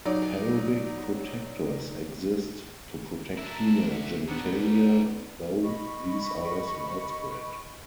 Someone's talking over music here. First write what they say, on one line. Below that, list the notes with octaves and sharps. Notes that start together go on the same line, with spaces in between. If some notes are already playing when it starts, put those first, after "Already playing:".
Pelvic protectors exist to protect female genitalia, though these are less widespread.
F#3 D#4 D5
D4 E4 E5 A#5
D4 E5 F#5
B3 C4 D4 D#4 F#5
D#5 B5 C#6